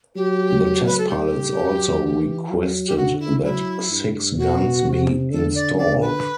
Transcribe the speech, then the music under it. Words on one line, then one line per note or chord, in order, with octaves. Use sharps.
The test pilots also requested that six guns be installed.
F#3 G4
B4
A4
G3 G4
F#3
E3
F#3
G4
D3 F#4
E4
F#3 E4
G2
B2 F#4
C3
D3 A4
D5
D5
B4